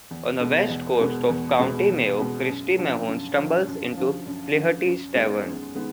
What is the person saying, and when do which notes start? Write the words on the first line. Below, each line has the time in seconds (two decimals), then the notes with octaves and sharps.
On the west coast of County Mayo Christy Mahon stumbles into Flaherty's tavern.
0.11 E2
0.40 B2 G#3 B3
0.70 E2
1.00 B2 G#3 B3
1.30 E2
1.59 B2 G#3 B3
1.89 E2
2.18 B2 G#3 B3
2.49 F#2
2.78 D3 F3
3.08 F#2
3.37 D3 F3
3.67 F#2
3.97 D3 F3
4.27 F#2
4.56 D3 F3
4.85 F#2
5.15 D#3 G#3 B3
5.45 F#2
5.74 D#3 G#3 B3